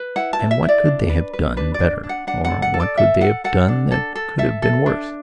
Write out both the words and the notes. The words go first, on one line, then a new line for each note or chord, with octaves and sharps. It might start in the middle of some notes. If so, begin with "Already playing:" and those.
And what could they have done better, or what could they have done that could have been worse?
Already playing: B4
E4 F#5
A5
E4
E5
E4
D5
D4
B4
B4
D4 B4
D5
D4
D4
F#5
D4 F#5
F#5
A4
F#5
A4
D5
A4 E5
A4 F#5
A4 F#5
D4
A4
A4
A4 E5
A4
D4